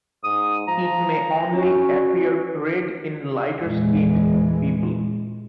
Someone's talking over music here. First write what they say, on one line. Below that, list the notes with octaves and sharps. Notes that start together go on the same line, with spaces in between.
It may only appear red in lighter-skinned people.
G#2 D#6
F3 A#5
C#4 F#4
E2 A#2 E3 G#3